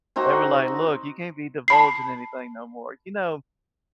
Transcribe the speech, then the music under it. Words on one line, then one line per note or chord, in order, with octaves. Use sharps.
They were like, "Look, you can't be divulging anything no more," you know?
C4 D#4 F#4 A#5
A5 B5 C7